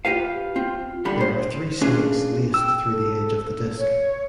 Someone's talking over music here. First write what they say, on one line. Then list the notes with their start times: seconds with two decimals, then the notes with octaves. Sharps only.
There are three snakes laced through the edge of the disc.
0.05 F4 G4 B4 F5
0.56 C4 F4
1.05 E2 D3 G3 B5
1.21 C5
1.81 A3 C#4 D4 F4 G#4 B4
2.54 G5 E6
2.90 A4
3.78 C#5